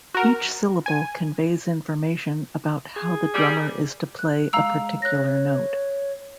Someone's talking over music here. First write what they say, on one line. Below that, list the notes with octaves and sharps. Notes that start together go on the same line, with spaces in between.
Each syllable conveys information about how the drummer is to play a particular note.
F#4 A#4
G#5
G#4
G3
F#6
G#3 F5 A#5 E6
C#5 F#6 A#6